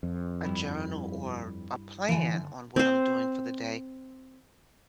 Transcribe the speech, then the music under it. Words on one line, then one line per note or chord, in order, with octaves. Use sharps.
a journal or a plan on what I'm doing for the day.
F2
G2 G3 E4
D3 E3 G#5
C4 C5